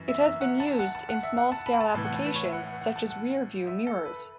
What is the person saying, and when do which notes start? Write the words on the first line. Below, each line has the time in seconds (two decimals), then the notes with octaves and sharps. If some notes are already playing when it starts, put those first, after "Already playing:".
It has been used in small-scale applications such as rear-view mirrors.
Already playing: F#2 E3
0.08 E5
0.22 E5
0.41 F#5
0.60 A5
0.79 F#5
0.95 A5
1.09 F#5
1.23 E5
1.37 F#5
1.52 A5
1.66 B5
1.81 A5
1.94 A2 E3 A5
2.05 F#5
2.16 A5
2.26 B4
2.35 C#5
2.44 E5
2.53 F#5
2.67 F#5
2.81 F#5
2.96 A5
3.11 F#5
3.67 E5
3.87 A4
4.05 B4